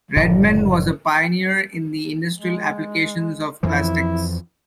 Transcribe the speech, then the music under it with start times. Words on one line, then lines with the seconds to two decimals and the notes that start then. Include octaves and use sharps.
Redman was a pioneer in the industrial applications of plastics.
0.16 F#1 A2 D3
2.35 G#3
3.63 F2 E3 F3 E4